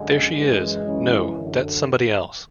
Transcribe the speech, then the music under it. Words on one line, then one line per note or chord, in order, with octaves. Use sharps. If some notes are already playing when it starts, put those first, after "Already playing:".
There she is — no, that's somebody else.
Already playing: F#2 D3 G#3
F#2 E3 G#3
F#2 C#3 E3
F#2 D3